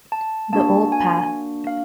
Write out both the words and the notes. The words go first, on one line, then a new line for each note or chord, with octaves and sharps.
The old path.
A5
A#3 D4 F#4 A5
G#5
F5